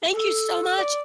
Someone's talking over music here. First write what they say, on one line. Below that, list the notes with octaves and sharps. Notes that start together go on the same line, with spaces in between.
thank you so much,
A4
D5